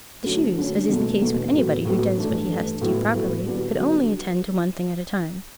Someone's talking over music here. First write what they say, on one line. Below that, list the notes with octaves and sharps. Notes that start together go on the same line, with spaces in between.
The Shoes, as is the case with anybody who does what he has to do properly, could only attend to one thing at a time.
D2 D3 F#3 A3 C#4
D2 D3 F#3 A3 C#4
E2 B2 A3
E2 B2 A3
A2 F#3 B3
A2 F#3 B3
G2 E3 A3 D4
G2 E3 A3 D4
A2 F#3 B3 E4
A2 F#3 B3 E4
D3 F#3 B3 D4 G4
D3 F#3 B3 D4 G4